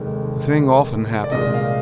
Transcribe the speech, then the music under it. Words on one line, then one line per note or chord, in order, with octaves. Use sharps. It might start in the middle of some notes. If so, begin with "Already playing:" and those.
The thing often happened.
Already playing: F1 D#2 D#3 G#3
D5
C2 A#2 G#3 D#5
F5